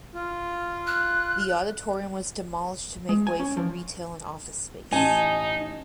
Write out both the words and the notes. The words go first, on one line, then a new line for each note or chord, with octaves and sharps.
The auditorium was demolished to make way for retail and office space.
F4
F#6
G#3
G#5
C#4
F3
A1 D#4 G#5 A5